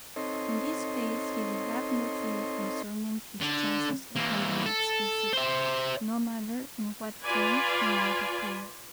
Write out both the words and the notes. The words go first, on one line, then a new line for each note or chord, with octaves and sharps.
In this case he would have no fear concerning his chances upon the next visit, no matter in what form he might appear.
C4 D#4 A4 C#5 D#5 C6
D3
E3 A#3
A4
C5 E5
F4 B4 D5 G#5